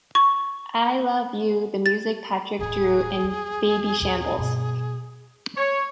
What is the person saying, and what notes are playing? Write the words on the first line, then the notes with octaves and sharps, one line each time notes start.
I love you, the music, Patrick, Dru and Babyshambles.
C#6
A6
D#1 A1 G#4
E2
A#1 D#2
G2 B2
C#5